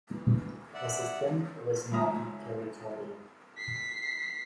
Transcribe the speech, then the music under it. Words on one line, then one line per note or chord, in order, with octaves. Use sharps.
The system was non-territorial.
D2 E3
D5 E5 F#5
G#1 C#2 F3 E5 A#5 D#6
B6 C7